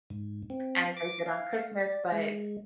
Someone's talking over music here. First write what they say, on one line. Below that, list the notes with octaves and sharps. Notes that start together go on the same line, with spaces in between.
as they did on Christmas, but
G#2
C4
D6
F5
D5
G#3